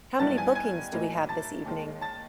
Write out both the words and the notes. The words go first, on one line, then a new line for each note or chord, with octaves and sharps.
How many bookings do we have this evening?
G2 D#3 G3 B3 E4 A5 A6
G#5 G#6
G#5 G#6
A2 F#3 A#3 D#4
A5 A6
D#2 D#3 G#3
A5 A6